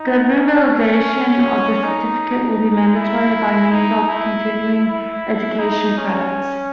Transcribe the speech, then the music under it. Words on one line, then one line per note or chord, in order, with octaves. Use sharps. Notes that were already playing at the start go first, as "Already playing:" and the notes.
The revalidation of the certificate will be mandatory by means of continuing education credits.
Already playing: D#4
C#4
C#4
D#4
E4
D#4
E4
E4
D#4
C#4